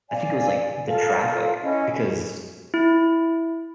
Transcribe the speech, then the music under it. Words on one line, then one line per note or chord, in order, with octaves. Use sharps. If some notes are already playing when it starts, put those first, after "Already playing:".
I think it was, like, the traffic because
D5 F5 G#5
F4 A4 A#4 F5
C#4 E4 D#5
E4